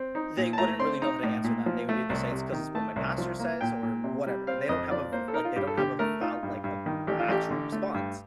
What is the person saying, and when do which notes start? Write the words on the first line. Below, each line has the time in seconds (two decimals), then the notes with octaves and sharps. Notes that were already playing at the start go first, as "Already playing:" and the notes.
They wouldn't really know how to answer that, they would either say it's ‘cause it's what my pastor says or whatever, and they don't have a v like, they don't have a val like a an actual response.
Already playing: C4
0.15 D#4
0.37 A#2
0.53 A5
0.58 A3 A#5
0.80 C4 C6
1.02 D#4 A#5
1.23 A2
1.44 A#2
1.66 F3
1.89 A3
2.10 C2
2.32 C3
2.52 D#3
2.75 A3 A5
2.96 C2
3.18 F3
3.40 A#3
3.61 A#2 G5
3.83 A#2
4.04 C3
4.27 G3
4.47 C4 F5
4.69 F2 D#5
4.91 F3 D5
5.12 A#3 C5
5.28 A4
5.34 D#4 A#4
5.45 F4
5.56 G2 G4
5.67 A4
5.77 D3 G4
5.99 A3 A#4
6.21 D#4 F4
6.43 G2
6.64 G2
6.86 D#3
7.07 A1 G4
7.19 F4
7.29 A1 G4
7.51 D3
7.72 A3
7.94 G2